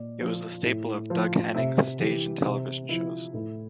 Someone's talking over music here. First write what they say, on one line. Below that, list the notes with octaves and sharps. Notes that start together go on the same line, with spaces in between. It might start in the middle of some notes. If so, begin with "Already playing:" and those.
It was a staple of Doug Henning's stage and television shows.
Already playing: A#2 D5
F3
A2
F3
C3 E5
E3 G4
C3
F3 E4
A2 E4